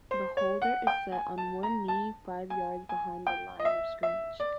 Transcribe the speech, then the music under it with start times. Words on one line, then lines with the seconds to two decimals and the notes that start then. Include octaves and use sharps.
The holder is set on one knee five yards behind the line-of-scrimmage.
0.11 C5
0.37 C#5
0.62 F#5
0.87 G5
1.12 G#5
1.38 A5
1.63 A#5
1.88 A5
2.50 G#5
2.89 G#5
3.27 G5
3.60 D#5
3.65 E5
4.03 E5
4.40 D5